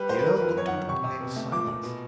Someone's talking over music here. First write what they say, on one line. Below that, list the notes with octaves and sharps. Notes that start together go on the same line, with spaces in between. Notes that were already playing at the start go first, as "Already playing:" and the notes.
The Earl looked at the boy in silence.
Already playing: G3 B4
A#3 C5
B4
D#3 A#4
F2 B4
F#2 C#5
F#5
D#3
C3 C#6
C3
B2
A3
A#2 D6
A#2
B2